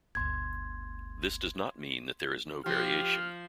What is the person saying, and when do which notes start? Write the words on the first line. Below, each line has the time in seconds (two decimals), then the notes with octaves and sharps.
This does not mean that there is no variation.
0.15 G1 D2 C6 G#6
2.66 F3 G4 F6